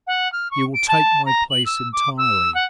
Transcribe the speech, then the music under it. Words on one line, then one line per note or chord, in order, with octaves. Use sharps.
You will take my place entirely.
F#5
F6
C#6
D7
A5
A#5
F#7
E6
D6
E6
F#5